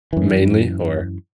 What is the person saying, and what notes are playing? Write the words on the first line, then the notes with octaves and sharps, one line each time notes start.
mainly or
F#2 E3